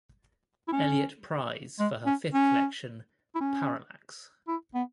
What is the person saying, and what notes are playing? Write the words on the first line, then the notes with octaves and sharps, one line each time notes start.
Eliot Prize for her fifth collection "Parallax".
E4
C#4
G#3
C#4
C#4
E4
C#4
E4
B3